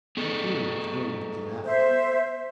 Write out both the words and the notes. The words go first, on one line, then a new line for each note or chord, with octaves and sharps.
He feared he was going to give out.
B3 G#4 A4
C5 E5